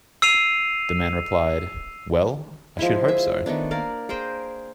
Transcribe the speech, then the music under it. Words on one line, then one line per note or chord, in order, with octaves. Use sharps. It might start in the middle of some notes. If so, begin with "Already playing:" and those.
The man replied, Well I should hope so.
E6 C7 D#7 F7
F3 G#3 E4
G#4 E5
D#3 A3 B3 D4
A#3 A#4 D5 F5
G#4 A#4 C5 G5